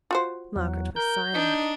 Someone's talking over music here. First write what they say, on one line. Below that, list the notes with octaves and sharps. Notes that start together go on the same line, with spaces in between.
Margaret was silent.
F4 F#4 C5
E2 F#3
A#4 G6
D4 D#4